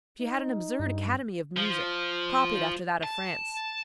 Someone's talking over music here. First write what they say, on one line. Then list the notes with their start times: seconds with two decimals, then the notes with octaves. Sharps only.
She had an absurd academy of music, copied after that of France.
0.21 D#4
0.79 G2
1.57 F3
3.03 A5